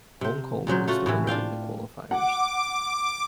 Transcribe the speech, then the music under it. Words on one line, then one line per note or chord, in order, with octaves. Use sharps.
Hong Kong was the winner in the qualifiers.
C3 C5
A#2 C#3 F#3 C5
A3 F4 F#4
A2 C3 E3
D4 F4 F5 G5
F#5 D6